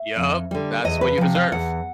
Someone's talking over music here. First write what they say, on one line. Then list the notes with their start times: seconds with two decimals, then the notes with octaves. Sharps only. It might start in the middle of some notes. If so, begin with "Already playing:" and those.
Yup. That's what you deserve.
Already playing: E5
0.16 F2
0.51 D3 G3
0.84 E2 D#5
1.01 B4
1.18 C3 F3
1.35 F5
1.52 E2 F#5